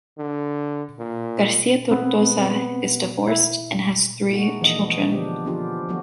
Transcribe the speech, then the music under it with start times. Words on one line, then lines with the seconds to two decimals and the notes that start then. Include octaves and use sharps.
García Tortosa is divorced and has three children.
0.19 D3
1.00 A#2
1.91 B3 C4
3.27 E4
4.30 A3 A#3 D#4 F#4 G#4
4.61 E3 F3 A#3 D4 D#5
5.12 D3 F3 B3 D4 G4
5.45 F3 B3 C#4 D4 F4 G4
5.89 F3 F#3 A3 B3 F#4